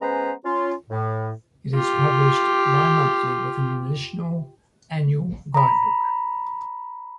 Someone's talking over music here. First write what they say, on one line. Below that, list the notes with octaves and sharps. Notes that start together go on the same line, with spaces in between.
It is published bimonthly with an additional annual guidebook.
G#3 B3 C#4 B4 C5 A#5
C#4 F4
A2
F4 G4
A#5 B5